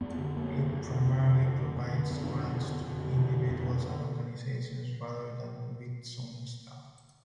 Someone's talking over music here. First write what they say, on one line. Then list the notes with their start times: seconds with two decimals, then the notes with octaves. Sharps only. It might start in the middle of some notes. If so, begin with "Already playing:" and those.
It primarily provides grants to individuals and organizations rather than through its own staff.
0.01 F2 B3
0.18 D3
0.36 F2 A#3
0.54 D3
0.71 F2
0.88 D3
1.06 F2
1.23 D3
1.41 F2
1.59 D3
1.76 F2
1.93 D3
2.10 F2 B3
2.23 D4
2.29 D3
2.35 B3
2.46 F2
2.63 D3
2.81 F2
2.98 D3
3.15 F2
3.33 D3
3.50 F2 B3
3.67 D3 B3